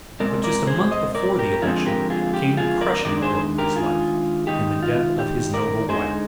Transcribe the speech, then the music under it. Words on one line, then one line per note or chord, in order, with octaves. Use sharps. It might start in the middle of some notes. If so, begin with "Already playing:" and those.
But just a month before the election came the crushing blow of his life, in the death of his noble wife.
A#2 G#3 C4 A#4 D5
A#4 D5
G#4 C5
C5 D#5
A#4 D5
G4 A#4
D3 F3 G#3 C4 F4 G#4
G4 A#4
F4 G#4
G4
F4 G#4
A#4 D5
D#3 G#3 D4 A#4 D5
G#4 C5
G4 A#4
F4 G#4
D#3 G#3 D#4 G4
F4
G4
A#4 D5
D3 G#3 D#4 G#4 C5